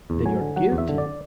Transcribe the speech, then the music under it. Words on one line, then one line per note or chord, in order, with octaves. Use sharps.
"Then you are guilty."
E2
F#3 G#5
D3
F#3 F#5
E2
E5
D3
D5